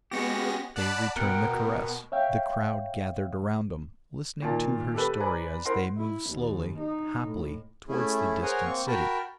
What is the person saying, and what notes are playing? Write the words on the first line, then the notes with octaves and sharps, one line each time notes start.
They returned the caress, the crowd gathered around them, listening to her story as they moved slowly, happily, towards the distant city.
G#3 B3 C#4 F#4 G4 A#6
D5 F#5 A5 B5
B2 A#4 F#5 G5
C#5 E5 F5 G5
A#2 D#3 F4 A5
G4 A4 B4
B4 C5 D5 G#5 A#5 B5
E4 A#4 C5 F#5 C6
E4
D#2
D#4
A2
A3 C#4 E4 G#4
G#4 A#4 C5 C#5 F#5 G#5
A#3 C4 C#6
F#4 A#4 G5 A5 B5